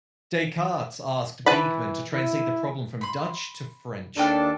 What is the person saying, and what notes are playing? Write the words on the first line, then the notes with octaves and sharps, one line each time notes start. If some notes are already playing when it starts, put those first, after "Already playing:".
Descartes asked Beeckman to translate the problem from Dutch to French.
E3 B4 A5 B5
E4
B5 C6
D#2 D4 A4 G5 F6